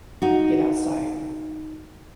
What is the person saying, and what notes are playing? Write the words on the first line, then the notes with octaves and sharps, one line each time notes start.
get outside and,
D#4 F#4